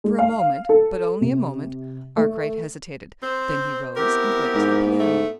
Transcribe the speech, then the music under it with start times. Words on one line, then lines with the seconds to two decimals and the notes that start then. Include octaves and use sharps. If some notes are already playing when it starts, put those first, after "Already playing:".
For a moment--but only a moment--Arkwright hesitated; then he rose and went to the piano.
0.04 G#3
0.18 F5
0.69 A4
1.21 C3
2.17 A3
3.23 C4 C5
3.96 B3 C4 E4 G4 A#4
4.55 G#2
5.00 A3